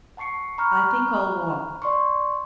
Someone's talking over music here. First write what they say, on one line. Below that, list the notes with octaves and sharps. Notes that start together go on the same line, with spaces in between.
"I think I'll walk."
F#5 A5 C#6 C7 C#7
A#5 B5 C#6 F6 F#6
D5 C6 C#6